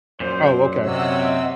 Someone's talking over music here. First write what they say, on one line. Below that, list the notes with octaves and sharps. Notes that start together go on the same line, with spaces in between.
Oh, okay.
F#2 A#2 C5
C3 C#5 D#5 F#5 E6